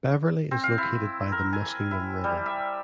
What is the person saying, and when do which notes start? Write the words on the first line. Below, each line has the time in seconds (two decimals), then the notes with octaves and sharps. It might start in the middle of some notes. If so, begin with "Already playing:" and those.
Beverly is located by the Muskingum River.
0.51 C4
0.63 F5
0.78 E4
1.32 A#4
1.53 G#5
1.91 E4
2.24 G3
2.46 E5